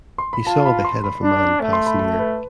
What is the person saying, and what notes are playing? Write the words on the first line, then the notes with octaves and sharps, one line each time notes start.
He saw the head of a man pass near.
C6
B5
F4 A5
B5
C6
B5
D4
A3
C6
B5
A5
B4